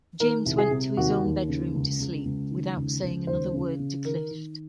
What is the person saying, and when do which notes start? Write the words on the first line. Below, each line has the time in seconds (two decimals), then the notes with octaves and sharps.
James went to his own bedroom to sleep without saying another word to Clift.
0.20 D#3 A#4
0.46 C2
0.58 G#4
0.71 C3
0.97 D#2 F#4
1.23 D#2
1.48 C#3
1.74 C#2
2.00 C#2
2.25 C#2
2.51 D#3
2.76 C#2
3.02 C#2
3.27 D#2 C5
3.53 C#3
3.79 C#3
4.05 D#3 A#4
4.30 D#3